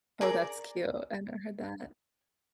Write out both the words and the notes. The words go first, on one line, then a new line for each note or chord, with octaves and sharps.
Oh, that's cute. I never heard that.
G#4 A#4 D5